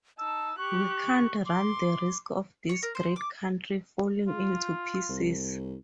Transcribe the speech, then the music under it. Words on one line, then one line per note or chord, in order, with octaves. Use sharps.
We can't run the risk of this great country falling into pieces.
D#4 A5 E6
G4 C#6 F#6
C6 D6
C#5
A#4
C5
D6
F4
C2